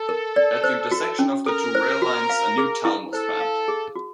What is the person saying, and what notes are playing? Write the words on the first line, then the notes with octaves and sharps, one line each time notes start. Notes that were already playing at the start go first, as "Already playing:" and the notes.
At the intersection of the two rail lines, a new town was planned.
Already playing: A4
A#4
D5
C5
F#4
C#4
A4 A#4
C5
F#4
F5
G#4
E4
A4 C5
F5
G#4
F#4